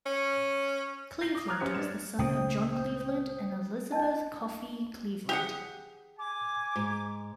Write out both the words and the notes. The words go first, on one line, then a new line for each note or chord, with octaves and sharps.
Cleveland was the son of John Cleveland and Elisabeth Coffey Cleveland.
C#4
G6 A#6 C7
D6 D#6
A#5 D6 D#6 F6 F#6 G#6
F#2 B3 C#4 G4 C5 C#7
D4 E7
C#2 A#2 C#3 A3 C5 G5 D#6
D4 E4 D#5 A5
G4 G#4 F#5
G#5 D6
G#2